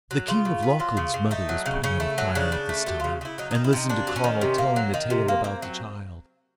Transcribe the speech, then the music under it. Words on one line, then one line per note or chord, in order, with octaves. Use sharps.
The king of Lochlann's mother was putting on a fire at this time, and listening to Conall telling the tale about the child.
F#3
C#3 F4
C#3
B3
F#3 F4
C#3
C#3
A3 D#4
F#3
C#3
C#3 C#4
A3
F#3
C#3 D4
C#3
A3
F#3 G4
C#3 F4
C#3 E4
F#3 D#4
D#3 D#4
E4
C3 D#4
A#3 D4
F#3
C#4
D#3
C3
A#3
F#3
D#3
C3
A#3
A#3 C4
F#3